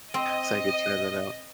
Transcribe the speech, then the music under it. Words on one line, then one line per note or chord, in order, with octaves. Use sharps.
so I could try that out.
C4 D#5